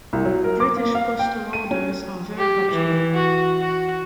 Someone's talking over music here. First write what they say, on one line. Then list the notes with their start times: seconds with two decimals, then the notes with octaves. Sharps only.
British Postal Orders are very popular.
0.13 C2
0.25 F#3
0.44 A#4
0.60 D6
0.77 A#3
0.95 F5
1.19 G5
1.53 D#7
1.71 C#4
2.38 G4
2.72 E3
3.14 F#4
3.61 F#4